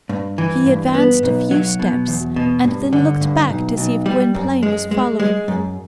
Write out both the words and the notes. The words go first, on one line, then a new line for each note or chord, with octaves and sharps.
He advanced a few steps, and then looked back to see if Gwynplaine was following him.
G2
E3
G2
B3
B1
F#3
B2
E2
B2
G2
D3
G2
B1
B1
G3
F#2
G#3
G#3
G#3
F#2